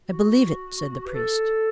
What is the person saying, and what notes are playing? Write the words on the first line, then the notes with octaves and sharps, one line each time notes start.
"I believe it!" said the priest.
F#4
B4
A4